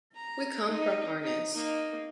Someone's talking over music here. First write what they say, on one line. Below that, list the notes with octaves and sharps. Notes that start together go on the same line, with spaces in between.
We come from Arnes.
A#5
D#4
D#4
A#3 D#4